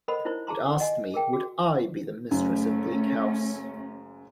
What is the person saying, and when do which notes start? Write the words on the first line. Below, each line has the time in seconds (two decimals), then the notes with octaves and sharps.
It asked me, would I be the mistress of Bleak House.
0.08 A4 A#4 C5 D#5 F#5 B5
0.25 D#4 E4 A#4 C5 C#5
0.47 G#4 A5 A#5 C6
0.80 D#5 F#5 G#5
1.14 G#4 A#4 G5 A5
1.33 F#4 G#4
2.31 F#1 F#2 A3 C#4